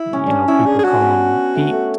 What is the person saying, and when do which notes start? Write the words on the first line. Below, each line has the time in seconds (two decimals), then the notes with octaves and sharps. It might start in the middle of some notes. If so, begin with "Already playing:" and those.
you know, people call 'em peaks,
Already playing: E4
0.13 C#4
0.26 C#4 D4
0.48 C#4 E4
0.66 D4 G#4
0.79 G#4
0.84 C#4 F#4
1.01 B3
1.55 A3
1.73 A3